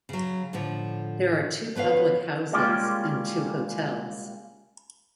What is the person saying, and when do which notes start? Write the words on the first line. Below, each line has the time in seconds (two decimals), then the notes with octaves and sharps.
There are two public houses and two hotels.
0.09 C#3 F#3
0.53 A2 D3 F3
1.75 F3 B3 B4 C#5 F5
2.52 G3 G#3 A#3 C#4 F4 G4